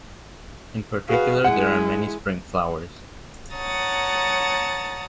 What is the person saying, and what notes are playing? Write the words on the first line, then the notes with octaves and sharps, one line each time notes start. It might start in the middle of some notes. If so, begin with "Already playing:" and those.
In particular, there are many spring flowers.
F#4 G#4 B4 F5
G#3 E4 F#5
C#5 F#5 A5 A#5 D#6 A6